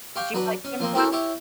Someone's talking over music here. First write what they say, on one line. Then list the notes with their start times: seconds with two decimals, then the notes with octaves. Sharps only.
Did you like gym class?
0.16 G4 F5 G5 C#6
0.34 F#3 D4 F#4 B4
0.65 C#4
0.80 F3 A#3 C4
0.95 E4 F#4 G4 A4 A#4
1.12 E4 G4 C#5 C#6